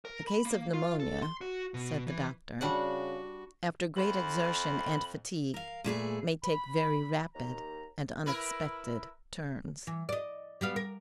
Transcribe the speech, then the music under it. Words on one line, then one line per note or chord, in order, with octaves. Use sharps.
"A case of pneumonia," said the doctor, "after great exertion and fatigue, may take very rapid and unexpected turns."
A#4
B5
A#3
F4
A4
C6
F#4
B2
E3
C#3 G3 D4 F#4 F#5
F2 B5
A#4 F5
A#2 A3 G#4 B4
B5
D#2 A#5
E4 A#4 B4
E3
D5 D#5
G3 B3 F5
A#4